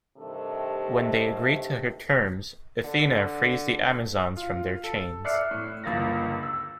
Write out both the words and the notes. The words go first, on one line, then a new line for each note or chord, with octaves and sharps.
When they agree to her terms, Athena frees the Amazons from their chains.
G2 C3 D#3 A3 G4 A4
D3
F4
A4
D5 E5 F6 F#6 C7 C#7
A2
G1 C#2 A#3 A6 A#6
E6